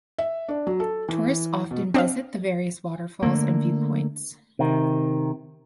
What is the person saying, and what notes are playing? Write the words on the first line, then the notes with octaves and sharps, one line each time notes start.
Tourists also often visit the various waterfalls and viewpoints.
E5
D4
F#3
A4
E3
B2
C4 D4 C5 D#5 F5
D3 E3 A3 A#3
C3 D#3